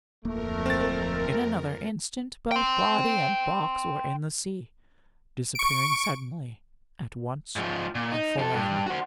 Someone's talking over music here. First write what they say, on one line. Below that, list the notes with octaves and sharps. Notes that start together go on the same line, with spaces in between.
In another instant both body and box were in the sea--disappearing suddenly, at once and forever.
D1 F2 A3 A#3 A#4
C4 A6
G5 C6
C#6 D7
G#2 F3
A#2
D#4
F3 A4
G2
F#4 C5